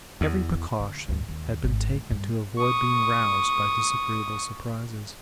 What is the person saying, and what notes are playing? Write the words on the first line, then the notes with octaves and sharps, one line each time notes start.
Every precaution had been taken to avoid being roused by disagreeable surprises.
E2
D3
D2 A2
D#2
G#1
A2
G2
C#6 D#6